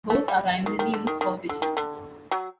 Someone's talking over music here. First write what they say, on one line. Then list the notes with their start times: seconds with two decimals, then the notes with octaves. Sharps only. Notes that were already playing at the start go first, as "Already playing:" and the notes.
Both are primarily used for fishing.
0.10 A3
0.28 G3
0.66 D#3
0.79 D#3
0.94 D3
1.07 D#3
1.21 D#3
1.49 D3
1.62 D#3
1.77 D3
2.31 F#3